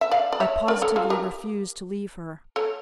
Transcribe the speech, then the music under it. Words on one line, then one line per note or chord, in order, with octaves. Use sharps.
I positively refused to leave her.
E5
D5 F5
D5
C#5 E5
A#4 D5
A4 C#5
F4 A4
G4 A#4
A4 C#5